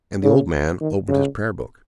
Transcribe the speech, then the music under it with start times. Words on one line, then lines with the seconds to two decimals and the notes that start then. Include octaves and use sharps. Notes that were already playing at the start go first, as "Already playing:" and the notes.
And the old man opened his Prayer-Book.
0.23 C#3
0.81 D#3
1.08 C#3